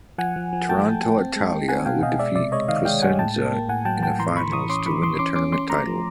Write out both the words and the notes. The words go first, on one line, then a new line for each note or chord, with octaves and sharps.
Toronto Italia would defeat Cosenza in the finals to win the tournament title.
F3 F#5 G#5
F3
F3
A3 G5 A5
A3
A3
C4
G#3
D#4
C4 F#5 G#5
B2 F5 G5
B2 D#5 F5
G#3 D5 E5
C3 D5 E5
G#3 C#5 D#5
D#3 D#5 F5
G#3 F5 G5
G#3 F#5 G#5
A2 G5 A5
A#3
A#3
A2 F#5 G#5
F#3 G5 A5
A2 G5 A5
E3 A#5 C6
E3 B5 C#6
E3 C#6 D#6
C#4 C6 D6
E3 B5 C#6
E3 C6 D6
C#4 C6 D6
C#4 C6 D6
C#4 C6 D6
A3 A#5 C6
F3